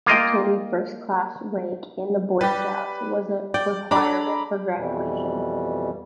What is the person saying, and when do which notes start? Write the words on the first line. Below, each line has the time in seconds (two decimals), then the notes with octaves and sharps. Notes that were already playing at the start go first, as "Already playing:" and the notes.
Obtaining First Class Rank in the Boy Scouts was a requirement for graduation.
0.06 A#3 F4 D#5 G5
2.41 G3 G4 B4
3.54 D5 G5
3.91 D4 A4 A#5 B5 D6
4.77 F2 B2 E3 G3